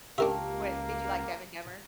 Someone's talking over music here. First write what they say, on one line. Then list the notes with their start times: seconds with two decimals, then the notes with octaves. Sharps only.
What did you like Dumb and Dumber?
0.18 C#2 A#3 D4 G4 A#4 E5 G5 A5